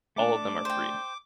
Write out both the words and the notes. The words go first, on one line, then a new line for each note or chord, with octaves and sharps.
All of them are free.
A3 D4 D6
C5 G5